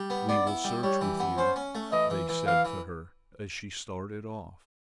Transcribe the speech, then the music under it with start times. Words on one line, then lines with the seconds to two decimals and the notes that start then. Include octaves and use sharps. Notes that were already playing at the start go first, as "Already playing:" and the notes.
"We will search with you," they said to her as she started off.
Already playing: G3
0.10 B3
0.29 B3 D5
0.47 E4
0.64 G3
0.83 G3 C#5
1.01 E3
1.20 B3
1.37 C#4 C5
1.56 C#4
1.75 A3
1.92 E3 D#5
2.10 E3
2.29 E3
2.46 E3 F5
2.65 E3